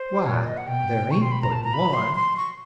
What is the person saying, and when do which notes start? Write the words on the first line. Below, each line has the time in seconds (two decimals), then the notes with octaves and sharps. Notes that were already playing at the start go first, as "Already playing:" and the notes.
"Why, there ain't but one."
Already playing: C5
0.26 A#2 C#5
0.36 D5
0.46 D#5
0.57 F#5
0.67 B2 G5
1.10 B2 C#6
1.22 C6
1.32 B5
1.42 A#5
1.52 A#2 A5
1.64 A#5
1.74 B5
1.94 C6
2.15 C6
2.37 C#6